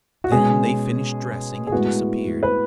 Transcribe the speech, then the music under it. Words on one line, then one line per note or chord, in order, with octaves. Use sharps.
Then they finished dressing and disappeared.
F#4
B2 G#3 C#4 G#4
G#4
A2 G#3 B3 F#4
B4